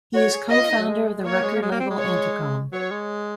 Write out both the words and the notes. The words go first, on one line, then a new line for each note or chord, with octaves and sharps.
He is co-founder of the record label Anticon.
F#4 C#5
G#4
F#4 D#5
F4
D#4
F#3
G#3
G#3
A#3 C#5
G#3
A#3
G#3
A#3
C4
G#3
C#5
F#3 C#5
G#3